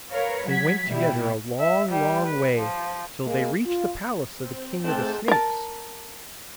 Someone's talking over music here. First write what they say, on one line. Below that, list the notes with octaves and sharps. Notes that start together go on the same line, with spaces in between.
They went together a long, long way, till they reached the palace of the King of the Snakes.
A#4 B4 C#5 F5
F#3 F#5 G#6 B6
B2 G3 E4
E5
G3
B4
F3
G#3 A#3
F4
C4
G#2 A3 C4 G5 A5
A#4 A5